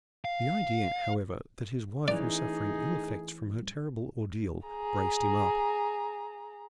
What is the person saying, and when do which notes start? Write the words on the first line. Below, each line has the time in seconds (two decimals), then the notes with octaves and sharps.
The idea, however, that his wife was suffering ill-effects from her terrible ordeal, braced him up.
0.25 F5
2.08 E3 A3 C#4 D#4 G#4 D5
4.68 G#4 A#5